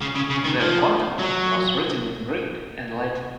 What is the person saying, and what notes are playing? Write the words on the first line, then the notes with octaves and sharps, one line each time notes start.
Their content was written in Greek and Latin.
C#3
C#3
C#3
D#3
F3
F#3